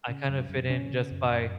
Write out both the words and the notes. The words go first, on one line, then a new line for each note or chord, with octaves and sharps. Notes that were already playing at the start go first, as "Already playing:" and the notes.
I kind of fit in just by
C#3
F#2
F#2
C#3 C#4
C#3
F#2
F#2